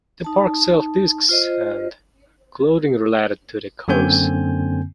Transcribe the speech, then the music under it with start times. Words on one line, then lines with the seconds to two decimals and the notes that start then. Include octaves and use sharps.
The park sells discs and clothing related to the course.
0.24 D#4 A5
1.29 F4 C5 D#5
3.88 F#2 D3 A#3 C4 G#5 G6